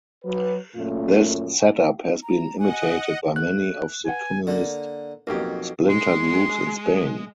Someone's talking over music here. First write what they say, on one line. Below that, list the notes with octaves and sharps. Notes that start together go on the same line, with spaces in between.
This set-up has been imitated by many of the communist splinter groups in Spain.
F#3 B4
F#2 A#2 A3 A#3 C#4 F4
A#5
D#5 F#5 G#5
A3 B3 F#6
B4 F#5 G#5 A5
D3 A#3
B1 F2 A#3 G4
G#3 C6